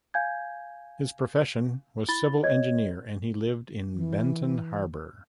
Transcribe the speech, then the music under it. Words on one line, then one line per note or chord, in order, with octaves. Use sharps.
His profession was civil engineer and he lived in Benton Harbor.
F5 G#5 G6 G#6
E4 B5 A6 G7
C#5 D#5 G#6
E3